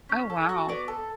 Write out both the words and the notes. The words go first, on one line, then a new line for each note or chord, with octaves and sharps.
Oh wow.
C#4
A4
F#4
B3 D5
A4